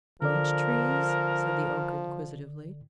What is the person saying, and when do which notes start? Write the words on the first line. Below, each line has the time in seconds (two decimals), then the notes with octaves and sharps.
"Beech Trees?" said the Oak inquisitively.
0.22 D3 F3 A4 A#4 D5